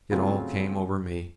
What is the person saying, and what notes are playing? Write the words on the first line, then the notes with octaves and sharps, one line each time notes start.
It all came over me.
C#3 F#3 A3 C4 F4